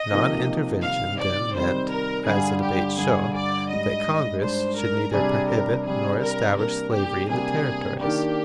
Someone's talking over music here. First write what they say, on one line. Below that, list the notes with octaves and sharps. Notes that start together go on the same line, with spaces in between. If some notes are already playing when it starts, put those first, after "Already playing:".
Non-intervention then meant, as the debates show, that Congress should neither prohibit nor establish slavery in the Territories.
Already playing: D#5
C3 F3 A#3 D#4
C3 D#3 G3 C4 D#4 F5
D5
C3 D#3 G3 C4 D#4 C5
A#4
G2 D3 G3 G#4
G4
G2 D3 G3 G#4
D5
G#2 G3 D4 D#5
G#2 G3 D4 C5
A#4
C3 G3 D4 G#4
A#4
C3 G3 D4 G#4
A#4
C3 G3 A#3 D4 A#4
G4
C3 G3 A#3 D4 G#4
D#3 A#3 D4 G4